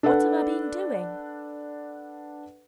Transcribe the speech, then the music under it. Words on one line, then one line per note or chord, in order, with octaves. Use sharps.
What have I been doing?
D4 A4 B4 D5 F#5